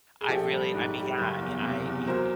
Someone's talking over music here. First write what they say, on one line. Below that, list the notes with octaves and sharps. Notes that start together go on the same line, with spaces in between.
I really I mean, yeah, I mean I even
G#4
A#1 G4 A4
G3
G#2
G3
F#1
E2
C3
E2
F#3 A#4 C5